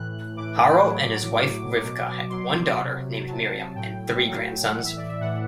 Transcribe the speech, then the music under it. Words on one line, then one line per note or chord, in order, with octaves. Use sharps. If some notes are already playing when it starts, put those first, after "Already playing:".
Harel and his wife Rivka had one daughter, named Miriam, and three grandsons.
Already playing: A2 E3 F#6
A2 E3 D6
A2 F#3
A2 F#3 D6
B2 F#3
B2 F#3 C6
C3 F#3
C3 F#3 A5
A2 F#3 G5
A2 F#3
A2 E3 F#5
E5
D5
E5
A2 E3 F#5